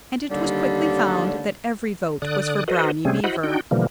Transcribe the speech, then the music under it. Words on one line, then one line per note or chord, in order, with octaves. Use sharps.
And it was quickly found that every vote was for Brownie Beaver.
D#2 D3 G3
D3 D5 D#6 F#6
F#4 A4 B4 C5 D#5
C3 G3 A3 C4 C#4 G#4
E4 F#4 C5 D#5 F#5 B5
D4 D#4 F#4 G5
B2 D3 E3 F3 G3 A#3